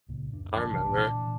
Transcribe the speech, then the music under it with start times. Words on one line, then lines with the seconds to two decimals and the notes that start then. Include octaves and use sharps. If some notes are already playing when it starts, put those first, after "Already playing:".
I remember.
0.09 C#2 A#2
0.33 F#2 D4
0.55 D1 G1 F3 D4
0.70 C2 C3 E3
0.89 A#2 E3